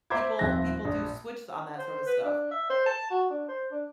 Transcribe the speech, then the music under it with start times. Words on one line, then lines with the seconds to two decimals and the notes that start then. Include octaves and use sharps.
people people do switch on that sorta stuff.
0.10 C5 E5 A#5 B5 D6 G#6
0.39 D#1 F3 C4 E5 F#6 A#6
0.85 A#1
1.79 C5
2.06 B4
2.24 D4
2.51 E5
2.70 C5
2.86 A5
3.10 F#4
3.30 D4
3.48 C5
3.71 D4